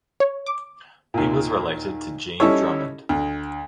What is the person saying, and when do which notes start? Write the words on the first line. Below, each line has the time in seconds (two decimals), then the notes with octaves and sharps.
He was related to Jean Drummond.
0.20 C#5
0.46 D6
1.14 D#2 A#2
2.40 G3 C#4 D#4 E4 A4 C#5
3.09 D2